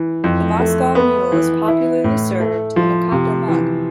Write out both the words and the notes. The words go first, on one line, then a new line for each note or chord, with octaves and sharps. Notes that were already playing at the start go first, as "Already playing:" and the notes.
The Moscow mule is popularly served in a copper mug.
Already playing: E3
F2
A3
B3
E3
E4
A2
A3
F3
C3
E3